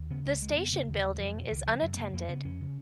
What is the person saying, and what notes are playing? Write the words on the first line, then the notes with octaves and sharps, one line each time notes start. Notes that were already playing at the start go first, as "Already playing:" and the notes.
The station building is unattended.
Already playing: D#2
C#3 B3
C#2 G#3
C#3 G#3
F2 B3
C#3 A#3
D#2 D#3
F3
C#3 F#3
G#3
F2 F#3
B2 F3
C#2 D#3
C#3 F3
F#2 F#3
B3
C#3 A#3
F2 A#3
C#3 B3
F2 C#4
C#3